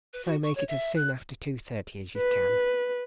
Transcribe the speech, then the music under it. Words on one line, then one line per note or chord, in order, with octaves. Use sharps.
"So make it as soon after two-thirty as you can."
B4
F#4
C#6
C#5
E5
F#6
B4